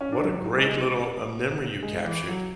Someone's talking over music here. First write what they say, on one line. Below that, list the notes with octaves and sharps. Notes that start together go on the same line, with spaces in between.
what a great little, uh, memory you captured.
C#4
D4
F#3
F#3
F#3
G#3
G#3
G#3
E3
F#3